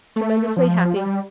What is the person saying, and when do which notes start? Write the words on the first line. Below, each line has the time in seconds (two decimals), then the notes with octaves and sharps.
'Tremendously happy.
0.16 A3
0.57 F3
0.96 G3